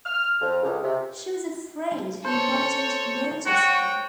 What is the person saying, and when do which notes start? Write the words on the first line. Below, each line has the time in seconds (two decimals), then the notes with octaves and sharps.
She was afraid He mightn’t notice her.
0.05 F6
0.41 F2
0.62 C#2
0.82 C3
2.25 A4 C5 C#5
3.46 F#4 C#5 G5